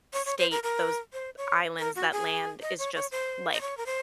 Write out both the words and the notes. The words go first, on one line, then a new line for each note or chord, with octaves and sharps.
state, those the islands, that land is just, like,
C#5
C#5
C5
A#4
A#4
C5
C#5
A#4
F#4
G#4
D#5
C#5
C#5
C5
D#5
C#5
A#4
C5